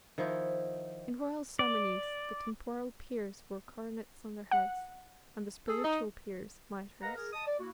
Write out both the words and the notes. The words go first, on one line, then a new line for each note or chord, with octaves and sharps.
In royal ceremonies the temporal peers wore coronets on their heads, and the spiritual peers, mitres.
D#3 F3 D#4 E4
D5
F#5
G#4 A4
D#4
A#4 B4 D#5 F5 F#5 A#5
G#4 A#4
D#5 A5 D#6
D5
A#3 E4 F#4